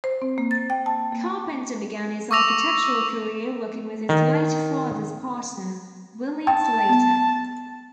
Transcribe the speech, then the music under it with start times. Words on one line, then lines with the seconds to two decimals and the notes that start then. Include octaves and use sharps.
Carpenter began his architectural career working with his late father's partner William Slater.
0.04 C5
0.22 C4
0.38 A#3
0.51 A6
0.70 G5
0.86 A5
1.12 A#3
2.31 C#6 D6 E6 A#6 F7
4.09 D#3
6.47 G5 A5
6.89 B3